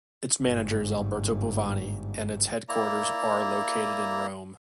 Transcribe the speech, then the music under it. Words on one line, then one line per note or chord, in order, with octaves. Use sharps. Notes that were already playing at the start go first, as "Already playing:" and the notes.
Its manager is Alberto Polvani and its headquarters are located in Rome.
G1 G#2
A#3 E4 D5 A#5